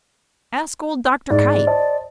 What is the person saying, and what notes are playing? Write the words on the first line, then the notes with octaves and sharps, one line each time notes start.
Ask old Dr. Kite.
G#2 D5
C5 D#5 A5